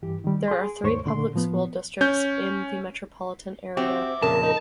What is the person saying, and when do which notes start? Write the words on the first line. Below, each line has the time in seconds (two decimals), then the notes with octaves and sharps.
There are three public school districts in the metropolitan area.
0.02 G2 E3 G4
0.24 D#3 G3
0.48 G#4 C6
0.83 D#2 G#2 A3 C5 C#5 C#6
1.06 A#2 D3 C6
1.34 A2 F3 B3
2.01 C#4 G6
3.77 C4 F#4 G4 E5 D6
4.22 F2 A#2 C#3 A#4 A5
4.42 D#4